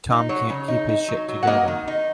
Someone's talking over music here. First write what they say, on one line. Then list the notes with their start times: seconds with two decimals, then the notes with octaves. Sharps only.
Tom can't keep his shit together.
0.10 D#4
0.29 F#3 C#5
0.49 C#3
0.68 D#4
0.89 D#4
1.08 F#3
1.28 F#3
1.43 F#5
1.47 A#3 D#5
1.68 D#3
1.88 D#4